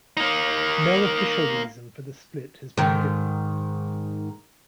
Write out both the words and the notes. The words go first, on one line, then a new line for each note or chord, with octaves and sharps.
No official reason for the split has been given.
A#3 D#4
G#2 D#3